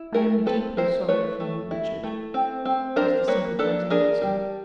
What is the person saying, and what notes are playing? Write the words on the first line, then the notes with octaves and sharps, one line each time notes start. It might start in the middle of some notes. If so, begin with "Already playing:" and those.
"I am deeply sorry for you, Richard," was the sympathizing answer.
Already playing: E4
A3 G#4 A#4
C4 A4 B4
E4 A#4 C5
A3 B4 C#5
A3
E4
A3
C4
C4
D4 A#4 C5
A#3 B4 C#5
D4 A4 B4
D4 G#4 A#4
G3